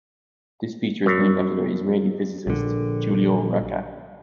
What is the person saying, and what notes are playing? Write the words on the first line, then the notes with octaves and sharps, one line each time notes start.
This feature is named after the Israeli physicist Giulio Racah.
F#2
A#1 D3